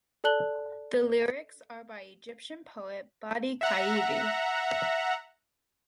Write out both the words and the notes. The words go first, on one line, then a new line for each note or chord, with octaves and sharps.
The lyrics are by Egyptian poet Badi' Khairi.
A4 D5 A5 F#6 F#7 G7
E5 F#5 A#5